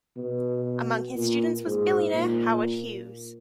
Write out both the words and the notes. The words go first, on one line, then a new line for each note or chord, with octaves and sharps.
Among his students was billionaire Howard Hughes.
B2
A#2
G#2
A#2